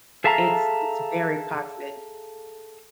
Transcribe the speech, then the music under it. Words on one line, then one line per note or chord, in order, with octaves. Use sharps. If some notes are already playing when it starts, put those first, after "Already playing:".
it's it's very toxic.
G#4 A4 E5 F5 A5 A#5